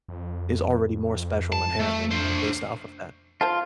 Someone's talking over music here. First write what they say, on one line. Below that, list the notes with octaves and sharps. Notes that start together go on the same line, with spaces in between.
is already more special inherently based off of that.
F2
A5
A3
D4 C5
F4 C5 F5 A5